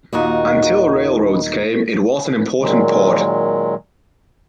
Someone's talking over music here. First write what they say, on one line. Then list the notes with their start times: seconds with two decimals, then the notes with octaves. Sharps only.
Until railroads came, it was an important port.
0.13 D#2 A#2 D#3 D#4 F#4
2.59 A#2 D#3 F#3 G#3